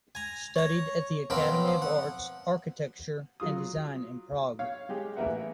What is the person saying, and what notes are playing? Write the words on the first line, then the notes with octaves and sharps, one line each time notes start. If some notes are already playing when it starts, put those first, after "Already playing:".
Studied at the Academy of Arts, Architecture and Design in Prague.
G#5 A#5
C#5 A#5
B1 F3 F#3 C4 A#4 B5
F3
F#5
F#3 F4 D#6
C#5 F5
G#3 G4 G#4
A1 A#3 A#4 B4 E5 F#5